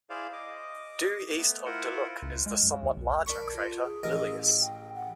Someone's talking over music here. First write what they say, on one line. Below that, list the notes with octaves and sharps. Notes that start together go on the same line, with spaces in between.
Due east of Deluc is the somewhat larger crater Lilius.
E4 G#4 C5 D5 F5
D#5 D6
A3 B3
E4 F4 A#4 C5 F#5
C#2
G#3
F#2
D#2
B1
D4 A#4 B5 C#6
F4
G#4
A1 A#4 D#5
G5
F#5